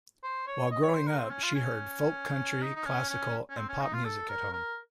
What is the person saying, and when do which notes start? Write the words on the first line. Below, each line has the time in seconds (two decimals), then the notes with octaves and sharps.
While growing up, she heard folk-country, classical, and pop music at home.
0.23 C5
0.47 C#5
0.71 D#5
0.83 C#5
0.95 C5
1.07 A#4
1.19 C4
1.31 C#4
1.43 F4
1.55 C#4
2.62 D#4
2.76 D#4
2.86 C#4
3.09 C#4
3.50 C#4
3.57 C4
3.69 C#4
3.81 D#4
3.93 F4
4.05 A4
4.29 A#4
4.53 A#4